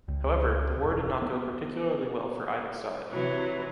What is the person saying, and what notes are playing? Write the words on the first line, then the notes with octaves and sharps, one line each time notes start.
However, the war did not go particularly well for either side.
C#2
E1
B3
C3 E3 F#3